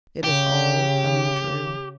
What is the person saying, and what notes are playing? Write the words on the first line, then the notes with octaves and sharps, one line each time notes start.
It is all coming true.
C#3 G4